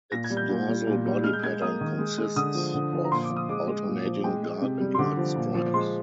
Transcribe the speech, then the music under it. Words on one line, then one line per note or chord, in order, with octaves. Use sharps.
Its dorsal body pattern consists of alternating dark and light stripes.
A#2 A#6
G#6
G3
G6
A#2
G3
A#2
G3
G#3 F6
G6
G#3 G#6
A#3 D#6
D#3
G#3
G#3
D3 D#6
F3
D3
F3
A#5
A#2 C6
D6
F3
D#6
G#3 D6
G#3
A#2
F3
G#3 G5
G#3
C3
G3
C6
D3 D6
F3
A#2
F3
G#3 C6